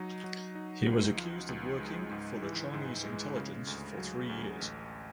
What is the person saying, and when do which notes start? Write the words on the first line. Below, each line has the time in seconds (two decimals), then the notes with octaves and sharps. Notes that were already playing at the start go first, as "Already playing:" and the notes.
He was accused of working for the Chinese intelligence for three years.
Already playing: F#3 D#4
0.24 F#3
0.55 D#4
0.86 C#2
1.18 F3
1.49 C#2
1.80 G#3
2.11 G#2
2.42 E3
2.73 G#2
3.04 G#3
3.35 C#3
3.67 D2
3.98 F#3
4.29 D2
4.60 A1